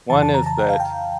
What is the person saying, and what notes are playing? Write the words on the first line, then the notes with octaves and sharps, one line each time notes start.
one is that,
F2 C#3 E3 A5
A5
A#5
A5
G5
F5
G5